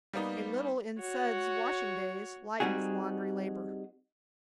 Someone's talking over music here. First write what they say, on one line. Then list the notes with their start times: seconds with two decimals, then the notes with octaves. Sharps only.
A little in suds washing days lightens laundry labor.
0.13 G3 A#3 B3 D#4
1.01 F#4 C#5
2.60 G3 C4 D#4 F#4 G#4